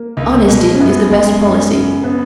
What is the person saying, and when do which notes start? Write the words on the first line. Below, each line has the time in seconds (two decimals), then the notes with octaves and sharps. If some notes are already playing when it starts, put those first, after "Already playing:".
Honesty is the Best Policy.
Already playing: A#3
0.17 C#2
0.48 B2
0.73 C#4
0.79 F#2 B3
1.11 G#3
1.41 F#2
1.72 C#3
2.04 B3